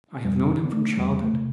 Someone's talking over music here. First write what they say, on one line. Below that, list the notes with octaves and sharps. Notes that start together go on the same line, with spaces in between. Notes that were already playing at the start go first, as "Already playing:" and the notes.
I have known him from childhood.
F2 G3
D3 B3
A3
E2 G3
A3
C3